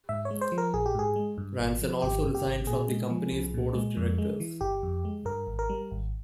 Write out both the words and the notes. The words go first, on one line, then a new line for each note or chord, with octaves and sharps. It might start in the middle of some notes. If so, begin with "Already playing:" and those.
Ranson also resigned from the company's Board of Directors.
G#2 E5
C#5
G#3
C5
F3
A#4
A#1 G#4
G4
G#2 G#4
G#3
G2
G#1
F3
G#1 G4
G2
G4
G#1
A#2 G#4
G#3
F3
C2
A#2
G#3
F2
G#3
E3
G1 G4
F2
G#3
G2 A#4
G#1
A#4
G3
G#1